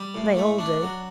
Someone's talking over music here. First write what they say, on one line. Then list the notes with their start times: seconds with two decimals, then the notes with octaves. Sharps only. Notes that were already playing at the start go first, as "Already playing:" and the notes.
They all do.
Already playing: G3
0.14 A2
0.37 A3
0.59 D4
0.82 F#3